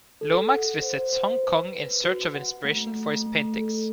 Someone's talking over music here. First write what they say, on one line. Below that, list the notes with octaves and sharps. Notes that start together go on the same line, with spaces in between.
Lomax visits Hong Kong in search of inspiration for his paintings.
A4
F#5
C5
C5
B4
B4
F#4
F#5
A3
A3
A3
A4